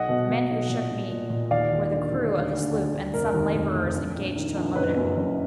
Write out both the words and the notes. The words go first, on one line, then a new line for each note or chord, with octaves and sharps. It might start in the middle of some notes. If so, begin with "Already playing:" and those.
The men who shook me were the crew of the sloop, and some laborers engaged to unload it.
Already playing: B1 D#5 F#5
B2
B2
B1
A#2
B1
A#2
A#2
D#2 D5 F5
D#2
D3
D#2
D2
D2
D2
D2
F1 A#4
D#2
F1
F1
A#1
A#1
D#3
A#1
F#1 B4
F#2
F#1